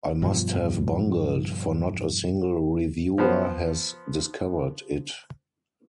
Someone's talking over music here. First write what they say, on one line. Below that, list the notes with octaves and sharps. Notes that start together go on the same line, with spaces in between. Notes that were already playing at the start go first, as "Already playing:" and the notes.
I must have bungled, for not a single reviewer has discovered it.
G2 B2 F3
F3 B3 C5